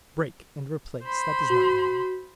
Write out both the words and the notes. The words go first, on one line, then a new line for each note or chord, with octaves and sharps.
Break and replace; that does not matter.
C5 B5 C6
F#4